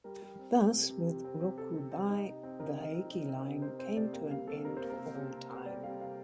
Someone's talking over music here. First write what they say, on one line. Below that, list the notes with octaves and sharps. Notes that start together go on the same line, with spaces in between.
Thus, with Rokudai, the Heike line came to an end for all time.
G3 A#4
G3
C4
C4
C3
C3
C3
C4
C3
C3 A4
C3
C4
D#4
C3
C4
D#4 A#4
D#4
C4
D#4
C4
C3
C3 C5
C4 C5
C3 D5
A#3 G5
G3 F5
C3 A4
C3 A#4
C5
A#3
A#4
C3
C3
C3
C3
G3 D5
G3 F5
C3 F5